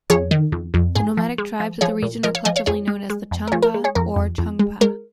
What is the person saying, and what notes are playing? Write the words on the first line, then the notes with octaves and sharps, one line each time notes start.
The nomadic tribes of the region are collectively known as the "Changpa" or "Chang-pa".
F2 G#4 C#5
D#3
F2
F2
G#2 G#4
F3
G#3
F3
F3 G#4 C#5
A#2
F3 A#4 D#5
C#5 F5
F3 D#5 G#5
C#5 F5
F2 G#4 C#5
G#3
G#3
F2
A#4
F3 G#4 C#5
A#4
G#3
G#4 C#5
F2 A#4
F2
F2
G#3
G#3 A#4